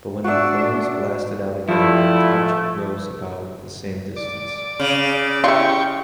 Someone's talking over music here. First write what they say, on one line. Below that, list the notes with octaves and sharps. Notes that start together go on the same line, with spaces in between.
But when the flames blasted out again, the object rose about the same distance.
D4 F#4 E5
F3 G3 A3 E4
D5
C#3
E4 F4 G4 C#5 C#6